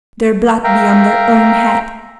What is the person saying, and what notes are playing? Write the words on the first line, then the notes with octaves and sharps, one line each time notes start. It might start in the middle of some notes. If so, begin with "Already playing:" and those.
Their blood be on their own head!
A#4 E5 F5 G5 A#5